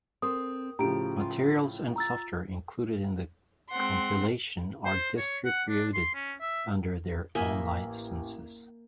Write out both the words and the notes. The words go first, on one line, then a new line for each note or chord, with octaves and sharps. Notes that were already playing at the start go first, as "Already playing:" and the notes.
Materials and software included in the compilation are distributed under their own licenses.
C4 A4 A#4 C5 D#6
A2 C#3 F3 G4 A#5 D7
F4 G#5
A#5 E6 A6
G#3 C4 F#5 C6
C5
C#5
F#5
D4
C6
C#4
E5
A1 A#3 D#5 E5 G#5 G6